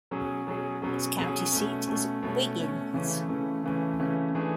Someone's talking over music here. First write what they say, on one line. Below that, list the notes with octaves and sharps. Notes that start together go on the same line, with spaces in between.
Its county seat is Wiggins.
B2 F#3 C#4 G#4
B2 F#3 C#4 G#4
B2 F#3 C#4 G#4
B2 F#3 C#4 G#4
B2 A3 C#4
B2 A3 C#4
B2 A3 C#4
B2 A3 C#4
C#3 E3 A3 C#4
C#3 E3 A3 C#4
C#3 E3 A3 C#4
C#3 E3 A3 C#4
E3 A3 D4 G#4